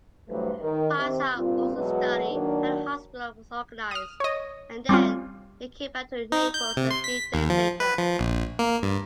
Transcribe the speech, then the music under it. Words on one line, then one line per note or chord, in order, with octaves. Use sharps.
Piazza also studied how the hospital was organized, and then, he came back to Naples a few days later.
G2 E3 F#3 A3 B4 C5
D#3
C3 D#3 C4
G2 A#2 C4 F4
E2 B2 F#3 G#3 B3 B4
D#3 F#3 A#3 D4
D#6 F6
C#5 D#5
G3 C4 C#4 F4
D#4
G6
C3
C6
B6
D#2
F3
B4
F3
A#1
A#3
G2